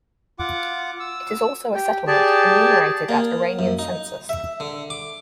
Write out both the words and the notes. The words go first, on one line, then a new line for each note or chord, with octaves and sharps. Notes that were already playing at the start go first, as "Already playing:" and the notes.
It is also a settlement, enumerated at Iranian census.
F4 F#5 D6
E6
G4 G5
G4 G#4 D5 A5
A#3
F#2
D#4
E5
D3
D6